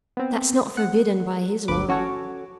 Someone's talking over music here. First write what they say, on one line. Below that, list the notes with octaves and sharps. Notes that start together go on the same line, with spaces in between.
"That's not forbidden by his law."
B3 C4
F#5
G1 D2 B4 D6
C#4 F#4 A4 C#5